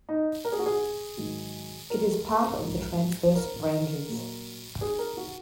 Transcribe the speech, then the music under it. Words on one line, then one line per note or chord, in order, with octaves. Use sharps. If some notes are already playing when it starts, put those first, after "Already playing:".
It is part of the Transverse Ranges.
D#4
A#4
G#4
F#4
G#4
G#2 D#3 F#3
A#4
G#2 F3
A#4
A#2 F#3
G#4
A#4
F#4